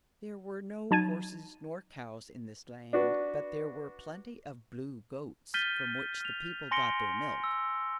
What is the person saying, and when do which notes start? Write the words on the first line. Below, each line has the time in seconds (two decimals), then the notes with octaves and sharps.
There were no horses nor cows in this land, but there were plenty of blue goats, from which the people got their milk.
0.91 F#3 D#4 A5 G#6 A6 D#7
2.93 D4 F#4 B4
5.54 F6 G6 A6 B6 D#7 G7
6.21 F6 F7
6.71 G#5 C6 A#6 C#7 D7 G7
7.44 E6